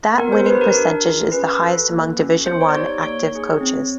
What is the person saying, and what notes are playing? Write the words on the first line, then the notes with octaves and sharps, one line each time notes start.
That winning percentage is the highest among Division I active coaches.
B3 A#4
C5
D4 G4 B4
A#4
D4
F4 G#4
C#4 B4
F#4 A4
A#3
C#4 F#4 A4
B3 C5
C#5
D5
D#4 G4 C#5
C#5
A#3 C#5
D#4 G#4
C4